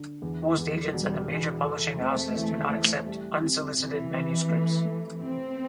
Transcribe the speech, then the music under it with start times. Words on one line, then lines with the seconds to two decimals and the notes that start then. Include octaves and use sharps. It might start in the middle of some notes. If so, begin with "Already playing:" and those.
Most agents and the major publishing houses do not accept unsolicited manuscripts.
Already playing: D3
0.22 E2 E3
0.58 E2
0.93 E1 G3
1.28 E2 E3
1.64 E3 A4
1.99 A3 C4
2.36 E3
2.72 E3
3.06 G3
3.42 C3
3.78 C3 E3
4.14 C3
4.49 A3
4.85 A3
5.21 C3 C4